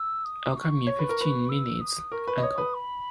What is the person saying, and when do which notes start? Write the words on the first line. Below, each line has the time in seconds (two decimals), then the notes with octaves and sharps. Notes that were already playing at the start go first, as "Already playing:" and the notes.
I'll come in fifteen minutes, uncle.
Already playing: E6
0.25 D#6
0.56 C#6
0.87 C#5
0.99 B4
1.09 A#4
1.21 B4
1.49 E6
1.80 D#6
2.12 A#4 C#6
2.27 B4
2.38 D#5
2.42 C#5 D#6
2.58 B4
2.74 B5